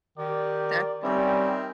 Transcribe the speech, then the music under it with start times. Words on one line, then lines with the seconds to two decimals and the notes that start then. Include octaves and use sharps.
That's really neat.
0.18 D#3 G4 D5
1.04 D#3 G3 C4 C#4 G4 E5